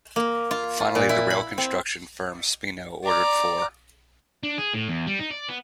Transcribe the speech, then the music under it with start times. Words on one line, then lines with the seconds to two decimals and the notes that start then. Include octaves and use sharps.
Finally, the rail construction firm Speno ordered four.
0.16 A#3
0.51 F4
0.80 F4
0.95 A#2
1.09 E4
1.30 B5
1.58 C4
3.04 D5 A#5
4.43 D4
4.58 G#4
4.74 A2
4.88 E2
5.07 G3
5.19 D#4
5.31 D5
5.49 B3